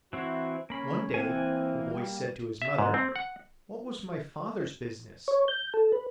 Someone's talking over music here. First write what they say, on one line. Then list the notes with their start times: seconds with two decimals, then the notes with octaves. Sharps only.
One day the boy said to his mother: 'What was my father's business?'
0.13 E3 C4 E4 F#4
0.70 A#3 C#4 B5
1.14 E3 A#3 C4 G#5
1.91 G3
2.62 E5
2.78 G#2
2.94 C4
3.16 F#5
5.28 C#5
5.48 G6
5.74 A4
5.92 B4